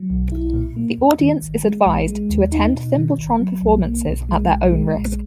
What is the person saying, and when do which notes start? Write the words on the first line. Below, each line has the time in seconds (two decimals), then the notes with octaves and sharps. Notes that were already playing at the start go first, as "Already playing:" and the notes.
The audience is advised to attend Thimbletron performances at their own risk.
Already playing: F#3
0.10 B1
0.32 E4
0.53 A#2
0.76 A#3
0.98 E2
1.20 D#3
1.42 G#1
1.64 G#3
1.86 A#1
2.08 G#3
2.30 D#2
2.52 D#4
2.74 B2
2.96 D#3
3.18 G#1
3.40 F#3
3.62 B1
3.84 A#3
4.07 B1
4.29 G#3
4.50 B1
4.72 G#3
4.94 A#1